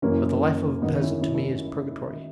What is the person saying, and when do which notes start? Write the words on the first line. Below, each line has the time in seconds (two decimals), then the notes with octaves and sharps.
But the life of a peasant to me is purgatory.
0.02 F#1 F#2 E3 A#3 C#4
0.82 G#1 F#2 D#3 B3 D#4
1.01 C#4 E4
1.21 C#4 E4
1.35 C#4 E4